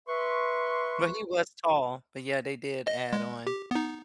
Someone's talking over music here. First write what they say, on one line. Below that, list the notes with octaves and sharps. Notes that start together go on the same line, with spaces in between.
but he was tall, but, yeah, they did add on
B4 E5 C6 C#6
D#5
G#3
G4
B3 D#4